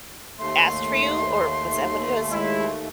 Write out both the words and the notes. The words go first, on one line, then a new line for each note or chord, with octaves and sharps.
asked for you? Or was that what it was?
D#2 A3 C6
G#3 E4